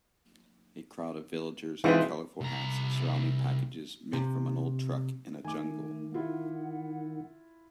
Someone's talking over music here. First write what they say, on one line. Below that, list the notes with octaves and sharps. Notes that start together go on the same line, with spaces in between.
A crowd of villagers in colorful hats surrounding packages made from an old truck in a jungle.
E3 G#3 C4 D#4 F4 B4
C2 A#5
C3
D#3 A3 G#5 D6
E4 F4 F#5